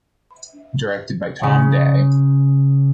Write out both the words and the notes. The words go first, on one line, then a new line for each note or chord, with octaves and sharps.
Directed by Tom Dey.
C#3